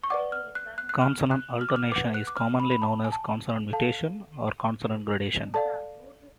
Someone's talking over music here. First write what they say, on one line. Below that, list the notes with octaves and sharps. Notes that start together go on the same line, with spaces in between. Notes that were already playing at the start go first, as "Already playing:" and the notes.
Consonant alternation is commonly known as consonant mutation or consonant gradation.
C#6
B4 D5 F#5 D6
F6
F#6
F#6
F#6
F6
F#6
F6
D6
F6
B4 F#5 D6
F#6
D6
F6
B5
B5
A5
G#5
A5
A4 F5 A5
A4 D5 F5 A5